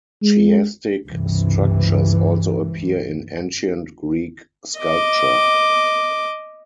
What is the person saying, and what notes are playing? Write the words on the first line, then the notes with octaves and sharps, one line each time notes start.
Chiastic structures also appear in Ancient Greek sculpture.
G#3
C#2 G2 C3 E3
D#5 D6